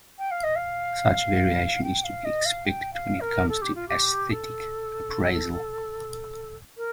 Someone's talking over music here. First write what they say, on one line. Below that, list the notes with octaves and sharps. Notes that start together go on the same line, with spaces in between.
Such variation is to be expected when it comes to aesthetic appraisal.
G5
F5
D#5
F5
G5
F5
D#5
F5
G5
F5
A#4
A4
G4
F4
G4
A4
A#4